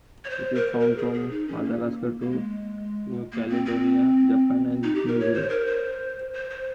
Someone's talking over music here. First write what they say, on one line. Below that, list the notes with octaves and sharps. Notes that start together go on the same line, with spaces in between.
It is found from Madagascar to New Caledonia, Japan and New Zealand.
C#5
C5
A#4
A#4
G#4
G#4
D#4
C#4
A#3
A#3
G#3
A#3
C4
C4
D#4
G4
A#4
C#5
C5
A#4
C5
C5
C5